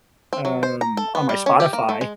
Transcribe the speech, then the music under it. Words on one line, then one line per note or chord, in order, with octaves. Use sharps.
um, on my Spotify,
C4
F#3
C5
A#5
A4
B3
G3
C#4
G4
A#3
A3
G#3